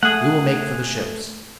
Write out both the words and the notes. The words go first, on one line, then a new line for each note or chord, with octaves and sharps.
We will make for the ships.
A3 G#4 F#5